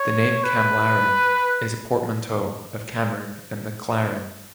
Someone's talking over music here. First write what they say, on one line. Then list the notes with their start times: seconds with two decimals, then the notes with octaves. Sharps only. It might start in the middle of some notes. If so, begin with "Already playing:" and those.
The name "Camlaren" is a portmanteau of Cameron and McLaren.
Already playing: C#5
0.44 B4